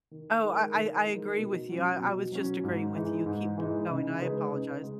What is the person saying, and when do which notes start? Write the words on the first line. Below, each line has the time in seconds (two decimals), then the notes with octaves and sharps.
Oh I I I agree with you. I I was just agreeing with you. Keep k going. I apologize.
0.11 D#3
0.43 G#3 D#4 A#4
0.74 D#3
1.06 G#3 D#4 A#4
1.38 B2
1.69 F#3 C#4
2.00 B2
2.32 F#3 C#4
2.64 G#2
2.94 E3 G#3 D#4
3.26 G#2
3.57 E3 G#3 D#4
3.89 C#3
4.21 G#3 D#4 G#4 B4
4.52 C#3
4.84 G#3